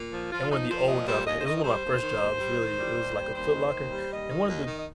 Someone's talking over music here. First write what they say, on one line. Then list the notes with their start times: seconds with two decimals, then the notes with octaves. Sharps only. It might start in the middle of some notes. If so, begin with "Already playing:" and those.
in one of the old jobs I had- It was one of my first jobs, really.- It was, like, a Foot Locker, and one of the
Already playing: A#2
0.13 F3
0.31 F3 F4
0.50 F3 D#4
0.70 F3 C5
0.88 A#2 D#5
1.07 G3 C5
1.26 D#2 D#5
1.40 C5
1.45 D#3 D#5
1.57 D#5
1.64 G3 C5
1.83 D#2
2.02 D#3
2.21 D#2
2.40 G3
2.58 D#3
2.78 G3
2.97 D#2
3.16 G3
3.34 D#2 C5
3.53 D#3
3.72 D#2
3.91 G3
4.10 D#2 D#5
4.29 D#3
4.48 D#2
4.67 D#3
4.78 D#5